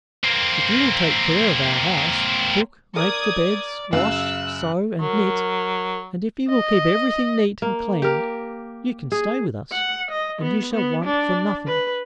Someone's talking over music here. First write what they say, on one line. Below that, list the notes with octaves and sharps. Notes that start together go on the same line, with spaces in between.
"If you will take care of our house, cook, make the beds, wash, sew, and knit; and if you will keep everything neat and clean, you can stay with us, and you shall want for nothing."
A#3 C4
A#4 D5 D#6 G#6
F#2 C#3 F5 E6 F#6
F#3 A#4
D#5
A#3
G4 A#4
G#4
F#5
D#5
B3
B3
D4
B4